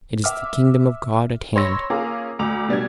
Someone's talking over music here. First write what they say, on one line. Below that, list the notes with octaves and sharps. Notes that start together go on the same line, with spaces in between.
It is the Kingdom of God at hand.
E5 D6 F6
C#5 B5 C6 E6 A#6
A#3 C#4 F4 G#4 A#5 D6
D2 A#5 D6 F7
B2 G3 D4 G#6